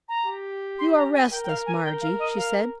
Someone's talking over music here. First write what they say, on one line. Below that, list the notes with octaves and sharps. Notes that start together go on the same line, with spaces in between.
"You are restless, Margie," she said.
A#5
G4
C6
A#5
G#5
A#4 G5
G5
F5
G#5
A#4 G5
F5
D#5
F5